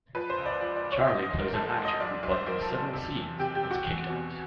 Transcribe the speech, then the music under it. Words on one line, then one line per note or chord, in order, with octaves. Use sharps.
Charlie plays an actor who bungles several scenes and is kicked out.
F3 B4
C5
C#2
D5
F3 D5
D5
C#2
C#5
E5
G#2 D#5
D#5
G#1
A#4
G#1 A4
A4
G#2
D#5
B1 D5
B1
C5
B1 A#4
A4
F#3
A4
C3
E2
C3 G4
G4
C3
F#4
E2
B2